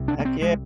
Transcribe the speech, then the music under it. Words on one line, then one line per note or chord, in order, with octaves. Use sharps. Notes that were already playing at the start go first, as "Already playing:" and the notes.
heck ye
Already playing: C2 C3
D4
A#3
C4
G#3